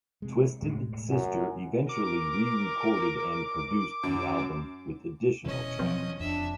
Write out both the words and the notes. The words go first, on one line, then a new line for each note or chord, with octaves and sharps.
Twisted Sister eventually re-recorded and produced the album with additional tracks.
C3 G#3
E1 A2 G#3
F#2
A#4 D6
F#2
E1 B2 E3 C#4 D#5
F3 F#3 C4
E1 F2 D4 E5